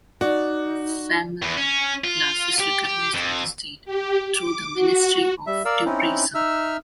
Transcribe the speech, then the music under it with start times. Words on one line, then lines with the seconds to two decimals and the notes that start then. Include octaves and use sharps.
Famille Plus is recognized by the State through the Ministry of Tourism.
0.21 D#4 F#4 D5
1.42 E2
1.57 C#4
2.04 F4
2.60 G4
2.85 G4
3.15 F2
3.85 G4
4.32 D6
4.74 F#4
5.47 G3 E5
5.65 A#4 D5 F5 E6
5.85 C4 C#4 D#4 E4
6.35 D#4 E5 E6 F6